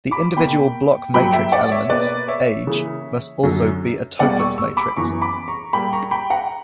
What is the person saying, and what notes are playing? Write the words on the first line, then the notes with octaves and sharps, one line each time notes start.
The individual block matrix elements, Aij, must also be a Toeplitz matrix.
B5 D6
B2 A#3 G5 B5
G2 F#3 A#3 G5 B5
E5 G5
D5 F#5
C#5 E5
B2 A#3 B4 D5
C#5 E5
C#3 E3 A#3
F#2 D3 F#3
E2 B2 G3 A#3 D5 F#5
C#6 E6
C#6 E6
B5 D6
F#2 E3 B3 A#5 C#6
B5 D6
A#5 C#6
A#2 G3 A#3 G5 B5
A#5 C#6
G5 B5
F#5 A#5